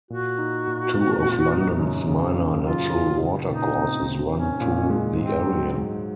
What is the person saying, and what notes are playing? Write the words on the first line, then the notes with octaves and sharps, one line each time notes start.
Two of London's minor natural water courses run through the area.
A#2 F#4
D#4
A#2
C4
A#2
D#4
F#2
C#3
C#3
F#3 F4
F#2
C#3
A#2 D#4
C4
C4
C#4 D#4
A#2
G#3
G#2 C4
F#3
G#2